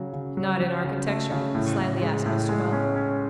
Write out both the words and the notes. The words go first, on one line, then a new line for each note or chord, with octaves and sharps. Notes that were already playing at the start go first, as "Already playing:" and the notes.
'Not in architecture?' slyly asked Mr. Bell.
Already playing: C#3 F#3
C#3
F#3
F#3
C#3
A3
C#3
A2
A2
G#3
A2
G#3
C#4
C#4